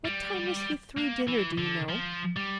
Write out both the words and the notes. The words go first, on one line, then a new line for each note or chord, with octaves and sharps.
"What time was he through dinner, do you know?"
G3
A#3
E3
D3
F3
G3